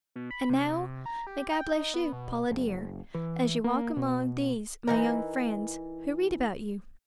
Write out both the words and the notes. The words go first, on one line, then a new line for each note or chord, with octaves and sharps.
And now, may God bless you, Paula dear, as you walk among these my young friends who read about you!
B2
B5
C3
A#5
G4
G5
D#4
B3
B2
F#1
E3
A#3
B2
E3 D#4 A#4